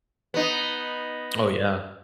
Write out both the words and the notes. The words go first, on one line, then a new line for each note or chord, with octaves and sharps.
Oh, yeah.
B3 D#4